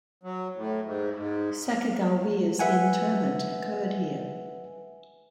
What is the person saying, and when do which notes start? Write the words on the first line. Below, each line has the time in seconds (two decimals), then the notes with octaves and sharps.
Sacagawea's interment occurred here.
0.23 F#3
0.56 A2
0.85 G#2
1.16 G#2
2.59 B4 E5 F#5 G#5